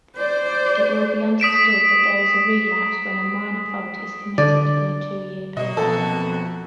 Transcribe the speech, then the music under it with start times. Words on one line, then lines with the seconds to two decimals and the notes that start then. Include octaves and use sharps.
It will be understood that there is relapse when a minor fault is committed in a two-year period.
0.16 C5 D5
1.40 D#6 B6 D7 E7
4.38 D3 D5
5.57 B2 A#3 F#4 D#5
5.77 B1 F2 F3 B3 C4 A4